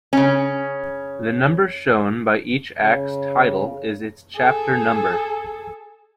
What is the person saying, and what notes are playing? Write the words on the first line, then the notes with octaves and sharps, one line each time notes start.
The number shown by each Act's title is its chapter number.
C#3 C#4
C#3
G#4 A4